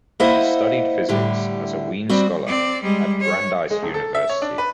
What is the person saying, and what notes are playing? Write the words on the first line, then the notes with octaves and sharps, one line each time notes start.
He studied physics as a Wien Scholar at Brandeis University.
A#3 E4 C5 D#5 E5 F#5
A2 D3 G3 G4
G3 C4 F#4
C4 D5
G3 G#3
C#5
G#3
D#1
A4
E5
C#5
D4
B4